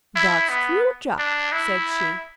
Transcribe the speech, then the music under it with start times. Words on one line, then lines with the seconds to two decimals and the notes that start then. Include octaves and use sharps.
"That's true, Jack," said she.
0.16 E4
0.50 B3
1.19 D4
1.52 E4